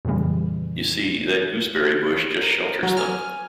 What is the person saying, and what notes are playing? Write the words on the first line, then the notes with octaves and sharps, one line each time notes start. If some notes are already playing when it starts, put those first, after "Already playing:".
You see, that gooseberry-bush just shelters them.
F2 A#2 C#3 E3 G3
A#4
F#3 A#5
G#5 F6